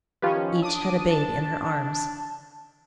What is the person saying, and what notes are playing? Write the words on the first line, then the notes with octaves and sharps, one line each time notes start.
Each had a babe in her arms.
D#3 F3 C#4 F4 G4 B4
D4 D6 D#6
A5